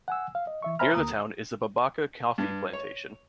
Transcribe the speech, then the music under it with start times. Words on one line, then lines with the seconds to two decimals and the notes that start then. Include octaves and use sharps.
Near the town is the Bebeka coffee plantation.
0.08 F#5 G#5 E6
0.35 F5
0.47 D#5
0.62 E3 E5 C#6
0.79 C5 E5 G#5 A#5 B5 F6
0.94 D2 A#3 A#5 D#6
2.38 G2
2.73 C#5